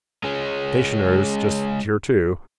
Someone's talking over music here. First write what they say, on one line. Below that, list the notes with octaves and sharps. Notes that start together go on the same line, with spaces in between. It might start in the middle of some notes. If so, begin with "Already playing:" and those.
Stationer's just here too.
G#3 C#4